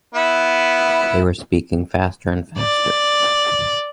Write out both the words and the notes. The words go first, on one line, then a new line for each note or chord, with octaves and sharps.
They were speaking faster and faster.
B3 E4
D5